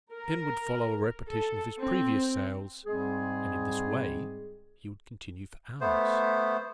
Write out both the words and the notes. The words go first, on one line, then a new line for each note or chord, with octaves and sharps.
Then would follow a repetition of his previous sales, and in this way he would continue for hours.
A#4
A4
C4
G#2 G3 G#3 C4 G#4
A3 B3 C5